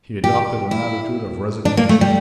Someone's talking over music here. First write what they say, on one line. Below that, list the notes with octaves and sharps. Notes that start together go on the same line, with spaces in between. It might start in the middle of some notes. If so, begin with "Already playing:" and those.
He adopted an attitude of resignation.
G4
E4
D4
A#3
A3
G3